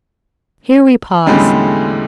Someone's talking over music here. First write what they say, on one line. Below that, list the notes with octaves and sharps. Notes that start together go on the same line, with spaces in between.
Here we pause.
E2 A2 D3 G3 G#3 C#4